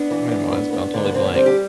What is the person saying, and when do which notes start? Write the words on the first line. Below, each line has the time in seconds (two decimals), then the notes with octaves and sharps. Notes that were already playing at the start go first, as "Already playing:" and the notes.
my mind's gone totally blank.
Already playing: B3 D4
0.11 E3
0.31 B3
0.52 B3
0.73 B3
0.94 D3
1.05 B3
1.14 D3 C4
1.25 B3
1.34 G3 C4
1.46 G4